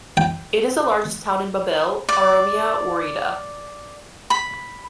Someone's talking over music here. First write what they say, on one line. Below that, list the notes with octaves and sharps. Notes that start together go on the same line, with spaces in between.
It is the largest town in Babille, Oromia woreda.
G5
D5
B5